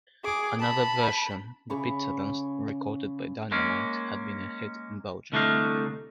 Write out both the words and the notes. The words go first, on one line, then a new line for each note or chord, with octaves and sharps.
Another version, "De Pizzadans", recorded by Dynamite, had been a hit in Belgium.
G#4 D6
A5 B5
C#3 B5 C#6 D6
G#3 A#3 C#4
C2 D3 A3 D4 D#4 F5